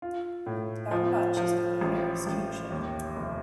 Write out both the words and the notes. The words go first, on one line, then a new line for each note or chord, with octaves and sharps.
Not much is known of Eric's kingship.
F4
A2
F3
F3
A1
A1
D#2
F1